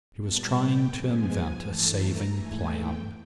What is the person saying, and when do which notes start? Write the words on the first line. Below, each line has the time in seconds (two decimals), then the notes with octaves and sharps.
She was trying to invent a saving plan.
0.19 A#2 G3 B3 A5
0.55 G5
0.90 G#2 F3 G#3 B3 G#5
1.60 G2 E3 A3 A5
1.96 A#5
2.31 G#2 E3 A3 G#5
2.66 G5